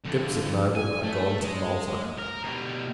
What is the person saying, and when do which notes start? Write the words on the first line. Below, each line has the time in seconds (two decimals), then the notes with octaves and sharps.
Gibbs and Noble are gone to Malta.
0.05 F2 D3
0.75 G#5
1.04 A3
1.43 G#3
2.19 A#4
2.44 B2 G3